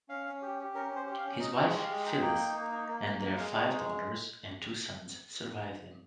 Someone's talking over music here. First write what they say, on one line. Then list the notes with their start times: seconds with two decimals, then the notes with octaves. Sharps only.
His wife, Phyllis, and their five daughters and two sons, survived him.
0.09 C#4 F5
0.26 C#4
0.42 G4
0.59 G4
0.74 C#4 A#4
0.91 C#4
0.96 C5
1.07 G4
1.18 F5
1.24 C#4
1.40 D#4 D#5
1.57 G#3
1.63 C#5
1.74 G4
1.83 F5
1.89 G#3
2.05 D#4 G5
2.22 A#3
2.39 D#4
2.54 A#3
2.71 D#4
2.88 A#3
3.04 A#3
3.21 A#3
3.37 G#3 F5
3.54 D#4 C#5
3.70 G#3